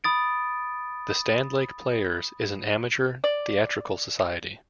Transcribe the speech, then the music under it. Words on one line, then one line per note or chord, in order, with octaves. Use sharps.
The Standlake Players is an amateur theatrical society.
B5 D#6 A6 D7
D5